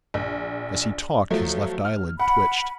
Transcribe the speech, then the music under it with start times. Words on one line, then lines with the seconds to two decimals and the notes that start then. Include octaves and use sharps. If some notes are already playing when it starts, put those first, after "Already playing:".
As he talked his left eyelid twitched.
0.14 A#1
1.30 F3 F#3 A3
1.85 F6
2.19 F#5 B5